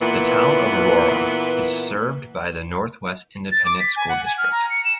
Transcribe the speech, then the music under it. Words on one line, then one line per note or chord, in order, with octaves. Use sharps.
The Town of Aurora is served by the Northwest Independent School District.
A#2 E3 B3
A6
D6
B6
G#5
F#5
G#5
F6
A#5
C#7
E7